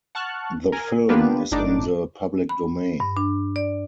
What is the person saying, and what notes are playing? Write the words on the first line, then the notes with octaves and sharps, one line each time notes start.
The film is in the public domain.
F#5 A5 C#6 F6 F#6
A#4 G#5
A#3 B3 D4 F4 G4 B4
G1 A2 D4 D#4 D6
B5
G2
D4
D5